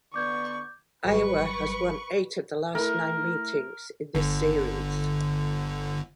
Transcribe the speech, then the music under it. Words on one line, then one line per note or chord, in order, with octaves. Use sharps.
Iowa has won eight of the last nine meetings in this series.
D3 B3 D5 C#6 D6 G6 G#6
G#1 F#3 G3 B4 C#6
A3 E4 A#4
G1 D3